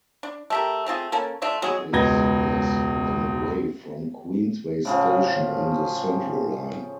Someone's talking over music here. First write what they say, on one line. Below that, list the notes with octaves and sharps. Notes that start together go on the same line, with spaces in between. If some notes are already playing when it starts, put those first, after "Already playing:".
It is less than away from Queensway station on the Central line.
D4
A3 G4 A#4
A3 C4 F4 G#4
A#3 C#4 A4
A3 D4 F4 F5
F#3 G#3 G#4
E1 C#2 B3 G#6 A#6 G7
A2 C#3 F3